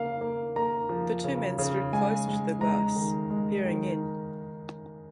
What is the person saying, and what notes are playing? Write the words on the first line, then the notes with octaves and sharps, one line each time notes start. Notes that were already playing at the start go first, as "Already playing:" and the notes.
The two men stood close to the glass, peering in.
Already playing: C#3 A#3 F5
A#3
A#3 A#5
F3
C#3
C#3
G#3 G#5
G#3
G#3 A#5
D#3
G#3
D#3